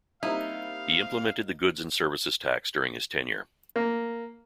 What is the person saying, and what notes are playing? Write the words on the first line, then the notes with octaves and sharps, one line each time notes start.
He implemented the Goods and Services Tax during his tenure.
G3 A#3 C4 D#4 E4 F5
A#3